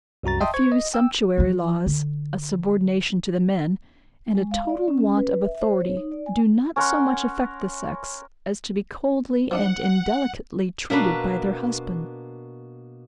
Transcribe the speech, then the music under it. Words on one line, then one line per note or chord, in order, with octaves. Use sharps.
A few sumptuary laws, a subordination to the men, and a total want of authority, do not so much affect the sex, as to be coldly and indelicately treated by their husbands.
C2 F#2 F#4 A#5 A6
D#5 E5 G5 A5 C6 D#6
C5 C#6 G#6
D#5
G5 E6
F3 F4
D3
G#3
F5
D5
C#4
C#4
B4
E5
C5
C#5
D#4
D5
G#5
C#4 A#4 F#5 C6
F3 D4 D#4 F#5
B2 A#3 D4 B4